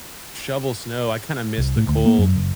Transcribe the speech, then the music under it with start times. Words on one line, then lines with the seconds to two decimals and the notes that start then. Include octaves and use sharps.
shovel snow, I kinda miss the cold.
1.58 C2
1.76 A2
1.88 D2
2.06 A#3
2.18 F#2
2.36 F#1